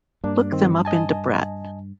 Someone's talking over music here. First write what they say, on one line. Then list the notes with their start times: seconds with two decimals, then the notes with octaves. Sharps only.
Look them up in Debrett.
0.24 G2 A#3 D4
0.52 D#3 C4
0.85 D#5 G#5 A5